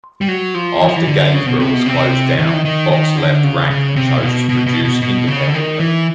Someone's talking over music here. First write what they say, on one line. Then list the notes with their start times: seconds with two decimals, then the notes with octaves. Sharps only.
After Gainsborough was closed down Box left Rank and chose to produce independently.
0.21 G3
0.28 F#3
0.54 F3
0.80 E3
0.89 F3
0.96 E3
1.07 D3
1.34 C#3
1.46 B2
1.60 C3
1.73 B2
1.86 C3
2.38 D#3
2.46 E3
2.54 D#3
2.65 D#3
2.91 D#3
3.17 D3
3.44 C#3
3.70 C#3
3.96 C3
4.17 A#2
4.22 B2
4.49 B2
4.66 B2
4.84 B2
5.02 B2
5.27 C#3
5.47 D3
5.54 D#3
5.80 E3